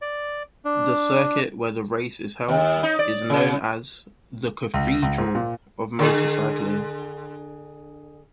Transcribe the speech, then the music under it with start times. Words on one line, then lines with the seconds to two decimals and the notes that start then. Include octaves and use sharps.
The circuit where the race is held is known as "The Cathedral" of motorcycling.
0.02 D5
0.65 D4
2.48 D#2
2.83 D#4
2.99 D5
3.30 C#3
4.74 C#2
5.03 C#2
5.18 G#2
5.35 A#2
5.99 D3 G#4